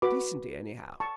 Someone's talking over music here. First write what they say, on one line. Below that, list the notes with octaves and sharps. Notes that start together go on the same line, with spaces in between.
Decently, anyhow.
F#4 B4 B5 D6
A5 C#6